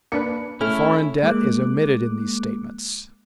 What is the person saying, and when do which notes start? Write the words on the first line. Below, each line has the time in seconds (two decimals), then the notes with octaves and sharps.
The foreign debt is omitted in these statements.
0.12 A#3 D4 B4 C#7
0.61 A3 C#4 E4 A4 F6
1.23 G#3 A#3 D6 F#6